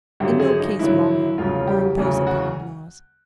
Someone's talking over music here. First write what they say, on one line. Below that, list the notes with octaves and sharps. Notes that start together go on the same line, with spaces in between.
In no case wrong him, or impose upon him laws.
G#1 F#2 D3 F#3 G4
G#4
D#4
G#1 F#2 D3 F#3 E4
E1 D2 C#3 F#3 F4
G4
E1 D2 C#3 F#3
F#4